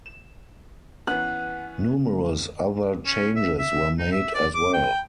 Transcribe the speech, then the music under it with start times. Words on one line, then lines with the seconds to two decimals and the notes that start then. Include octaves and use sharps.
Numerous other changes were made as well.
0.06 E7
1.07 E3 B3 C#4 F#5 F#6
3.06 C#4
3.36 E5
3.59 E5
3.99 D#4
4.12 E5
4.34 D5
4.54 D6
4.73 G5